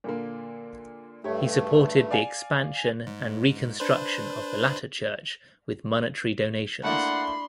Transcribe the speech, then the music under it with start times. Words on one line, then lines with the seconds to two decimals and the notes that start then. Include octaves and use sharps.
He supported the expansion and reconstruction of the latter church with monetary donations.
0.04 A#2 D3 A#3
1.24 G2 A3 G4 C#5
2.11 D5 F5 G#5
2.76 G#5
3.07 G#2
3.80 D4 B4 C5
6.83 A3 A#3 D4 E4 F#5 B5 C6